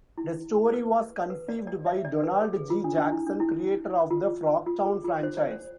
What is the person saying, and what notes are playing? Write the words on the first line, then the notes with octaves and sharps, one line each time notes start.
The story was conceived by Donald G. Jackson, creator of the "Frogtown" franchise.
E4
B4
B4
D5
D5
E5
D5
B4
G#4
G#4
F4
D4
D4
E4
D4
E4
F4
F4
G#4
F4
C5
D5
C5